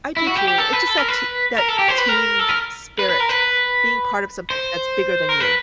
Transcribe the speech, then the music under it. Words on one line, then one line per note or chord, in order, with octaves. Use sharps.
I do too, it's just that that te that team spirit, being part of something that's bigger than you.
E4
F#4
G4
G4
A4
B4
A4
A#4
B4
A#4
A4
G4
C5
B4
A#4
A4
A#4
B4
B4
A#4
B4
C5
A#4
B4